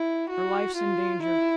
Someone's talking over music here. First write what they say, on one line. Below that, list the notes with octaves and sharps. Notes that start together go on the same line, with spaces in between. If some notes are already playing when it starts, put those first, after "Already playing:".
Her life's in danger.'
Already playing: E4
F#4
F4
E4